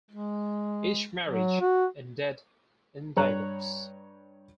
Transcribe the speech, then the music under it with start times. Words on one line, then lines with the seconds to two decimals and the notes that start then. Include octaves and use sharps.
Each marriage ended in divorce.
0.11 G#3
1.28 F#3
1.60 F#4
3.17 G2 C#5 A#5 C#6 F#6